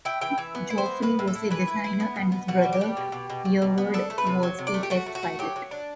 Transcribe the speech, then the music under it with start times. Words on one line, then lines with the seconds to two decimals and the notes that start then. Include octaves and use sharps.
Geoffrey was the designer and his brother Hereward was the test pilot.
0.05 E4 G5
0.21 E3 G5
0.38 E3 E5
0.55 B3
0.70 E4
0.78 C5
0.86 B3
1.02 A2 B4
1.19 A2
1.27 A4
1.35 E4
1.51 E3 B4
1.67 E4
1.84 E4
2.00 B3
2.16 B2
2.32 B3
2.48 B2 F#4
2.64 G3
2.73 G4
2.81 G3
2.97 B2
3.12 B2
3.30 B2
3.45 B2
3.62 B2
3.78 B3
3.94 D4 A4
4.10 A3
4.18 B4
4.27 C3
4.43 F#3
4.58 C3
4.67 D5
4.74 A3
4.83 G4
4.90 A3 F#4
5.06 A3
5.15 F#4
5.23 A3
5.39 F#3 G4
5.56 F#3
5.71 D4